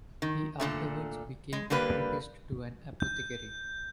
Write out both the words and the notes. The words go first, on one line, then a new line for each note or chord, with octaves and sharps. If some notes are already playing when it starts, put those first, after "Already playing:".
He afterwards became apprenticed to an apothecary.
D#3
A#2 D3 A3
G#3
D3 G3 A#3 B4
G6